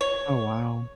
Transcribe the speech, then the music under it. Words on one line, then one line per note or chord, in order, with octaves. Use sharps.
Oh, wow.
C#5